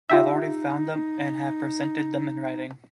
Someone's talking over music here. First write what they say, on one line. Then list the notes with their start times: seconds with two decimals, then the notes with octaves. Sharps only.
I have already found them and have presented them in writing.
0.10 D#4 F4 G4 E5